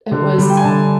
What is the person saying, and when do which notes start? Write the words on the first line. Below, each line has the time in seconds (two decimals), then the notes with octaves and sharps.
it was
0.11 D3
0.38 G3
0.50 G5
0.57 G#5
0.65 D3 A5